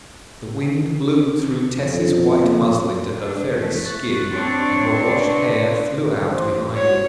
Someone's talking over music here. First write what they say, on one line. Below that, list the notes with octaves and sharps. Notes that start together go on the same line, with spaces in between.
The wind blew through Tess's white muslin to her very skin, and her washed hair flew out behind.
F2
A#3
D4
A3
C#6 F#6 A6
C4 D4 C#5
B4 D5
A1 C5
C2 F#4 C#5